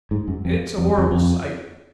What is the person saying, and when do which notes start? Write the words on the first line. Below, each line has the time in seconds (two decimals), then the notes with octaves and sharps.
It's a horrible sight!'
0.11 G#2
0.28 F#2
0.45 F2
0.78 F2
0.98 F2
1.11 F2